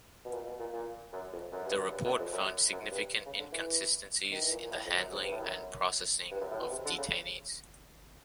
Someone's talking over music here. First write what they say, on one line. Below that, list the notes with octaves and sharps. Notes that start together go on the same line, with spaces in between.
The Report found significant inconsistencies in the handling and processing of detainees.
B2
A#2
B2
A#2
A#2
F#2
F2
F#2
G2
F#2
G2
F#2
F2
F#2
F#2
G2
C#3
D3
E3
D#3
E3
A#2
A#2
A2
F2
F#2
G#2
G2
A2
F#2
G2
F#2
A2
B2
C3
D3
C#3